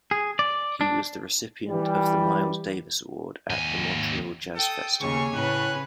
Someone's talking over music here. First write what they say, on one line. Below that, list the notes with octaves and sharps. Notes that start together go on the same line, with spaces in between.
He was the recipient of the Miles Davis Award at the Montreal Jazz Festival.
G#4
D5
D4
E3 G3
D#2 G#5
A4 G5 D#6
D#2 C#3 G#4 C#5 G#5 C#6
A2 C#3 B4 F#6